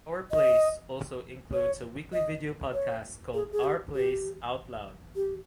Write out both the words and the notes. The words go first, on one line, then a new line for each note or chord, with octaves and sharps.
Our Place also includes a weekly video podcast called Our Place Out Loud.
D#5
C#5
D#5
C#5
G#4
G#4
G4
G4
G4